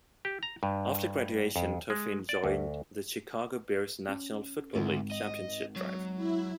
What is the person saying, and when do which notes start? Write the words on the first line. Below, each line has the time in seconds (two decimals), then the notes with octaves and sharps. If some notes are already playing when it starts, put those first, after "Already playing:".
After graduation Tuffy joined the Chicago Bears' National Football league championship drive.
0.25 G4
0.43 A#5
0.63 G2
1.56 F2
1.90 G#3
2.29 D5
2.44 D2
4.08 C#4
4.75 G#1 D2
5.12 D#5
5.76 F#3
6.16 E4